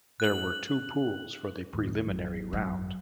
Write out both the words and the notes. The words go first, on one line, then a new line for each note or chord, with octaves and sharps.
There were two pools for the preliminary round.
F#6 F#7
D#2 A2
G#1 F#3
F#2